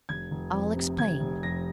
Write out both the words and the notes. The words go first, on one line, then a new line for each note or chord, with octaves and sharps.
I'll explain.
F1 G#6
F1
F2
C3
F1 G#6
F1
F2 A#6